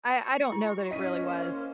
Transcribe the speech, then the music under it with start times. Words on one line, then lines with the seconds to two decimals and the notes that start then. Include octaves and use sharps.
I I don't know that it really was.
0.19 C#6
0.52 E4
0.91 C#4 D#5 B6 D#7
1.22 A#3 C5